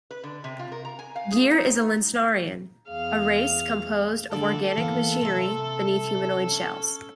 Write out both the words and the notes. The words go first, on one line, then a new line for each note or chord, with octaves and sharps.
Gear is a Linsnarian, a race composed of organic machinery beneath humanoid shells.
B4
D3
C3
F4
A#4
A#5
G#5
F5
G#4
D#4
E2 G#4 F5 F6
D2 D3 A4 D5
E3 A#3 B3
C3 E5
C#4